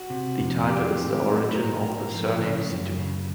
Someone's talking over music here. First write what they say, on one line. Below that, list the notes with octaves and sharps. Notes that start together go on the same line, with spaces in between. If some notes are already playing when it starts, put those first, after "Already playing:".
The title is the origin of the surname Situ.
Already playing: F#4
C3
F2
C4 G4
A2
F#3
B4
G#2 A#4
G#2
F3
C#3
F#2
C#3